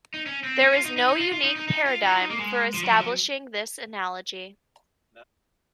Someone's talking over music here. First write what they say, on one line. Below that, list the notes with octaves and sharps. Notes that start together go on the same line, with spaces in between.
There is no unique paradigm for establishing this analogy.
D#4
C#4
C4
C#4
F4
D#4
D#4
D#4
F4
F4
D#4
D#4
D#4
F4
D#4
F4
D#4
A#3
G#3
F3
F#3
F3
F#3